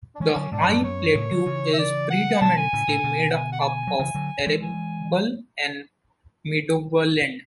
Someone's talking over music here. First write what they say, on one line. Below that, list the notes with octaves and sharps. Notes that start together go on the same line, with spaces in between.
The high plateau is predominantly made up of arable and meadowland.
D4
E3 G#3 C#4
D3 F#3
G#2 B2 D4
F#2 A2
F#2 C#5
A2 C#3
D3 F#3
C#3 E3
E5
D5
F#5
B2 D3 A5
G#5
A2 C#3
A2 C#3
B2 D3
F#5
G#5
F#5
A5
G#5
F#3
C#3 E3
D3 F#3
E3 G#3
G#5